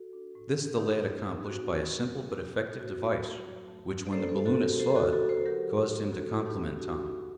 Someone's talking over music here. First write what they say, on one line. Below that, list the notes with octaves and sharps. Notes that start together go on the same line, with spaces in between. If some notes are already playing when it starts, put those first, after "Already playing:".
This the lad accomplished by a simple but effective device which, when the balloonist saw it, caused him to compliment Tom.
Already playing: F#4 A4
D4
A2
A3
A2 D#4 G4
D4
A2
C4 F#4
A2
G3
A2
C4
A2
A3 F#4
C4
F#3
F#2
A3
C4
D5
A#3 A4 C5
A4 C5
D4
F#4 A4
F#3
G4 A#4
D3 A4 C5
F#4 A4
A#3
F#4 A4
D4
A4 C5
F#3 G4 A#4
G2
D3
G2 F#4 A4
F#3
D#4 G4
G2
D4 F#4
A2